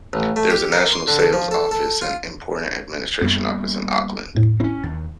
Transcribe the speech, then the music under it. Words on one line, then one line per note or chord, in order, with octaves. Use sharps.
There is a national sales office and import administration office in Auckland.
A1
A3
G4
A#4
C6
D3
A4
F3
A4
A4
F4
F#2 G3 A#3 B3
E2 A2
C4 C#4 E4 C#5
D#2 A6